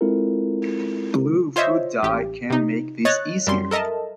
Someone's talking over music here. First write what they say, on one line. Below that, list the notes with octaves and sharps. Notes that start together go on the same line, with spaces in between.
Blue food dye can make this easier.
G#3 C4 E4 F4 A4 A#4
F4 C5 C#5 D#5 E5
A1 G4
C3 D#4
C#5 D#5 F#6 A6
F#2 G3 C6
A4 A#4 D#5 E5 A5